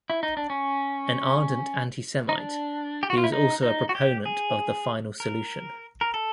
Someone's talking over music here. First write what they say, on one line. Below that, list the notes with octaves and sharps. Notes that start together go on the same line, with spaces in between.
An ardent anti-Semite, he was also a proponent of the Final Solution.
E4
D#4
D4
C#4
D#4
D4
G4
F#4
F4
E4
D#4
D#4
F#4
G4
G#4
A#4
A#4
A4